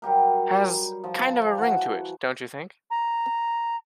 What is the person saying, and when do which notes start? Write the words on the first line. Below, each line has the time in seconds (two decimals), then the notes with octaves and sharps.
Has kind of a ring to it, don't you think?
0.02 F#3 G3 G4 A#4
1.04 F3
1.58 E3 F#4 F#5
2.90 A#5